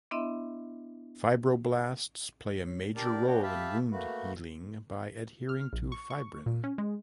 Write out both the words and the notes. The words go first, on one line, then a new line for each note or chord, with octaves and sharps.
Fibroblasts play a major role in wound healing by adhering to fibrin.
B3 D4 E4 D#5 E5 C6
C#4
D4 G4 A#4 D5
B3 D4 F#4 C#5 G5
G4 E5 F5 A5 B5
A3 A#3 F#4 B4
F6
A#1
C#6
C#6
A#2
C#4
G#3